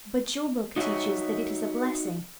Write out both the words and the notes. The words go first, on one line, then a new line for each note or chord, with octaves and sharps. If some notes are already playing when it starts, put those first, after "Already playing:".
But your book teaches that it is a blessing.
D#4 F#4 C#5 D#5 E5